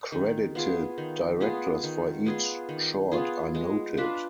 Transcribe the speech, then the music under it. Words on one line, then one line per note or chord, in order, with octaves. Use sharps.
Credited directors for each short are noted.
D#3
B3 F4 G#4
D#3
B3 F4 G#4
D#3
B3 F4 G#4
D#3
B3 F4 G#4
G#3
D4 F4 B4